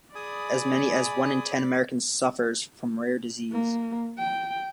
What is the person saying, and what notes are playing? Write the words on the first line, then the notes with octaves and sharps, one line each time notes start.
As many as one-in-ten Americans suffers from rare disease.
G#4 D5 G#5 B5 D#6
A#3
G5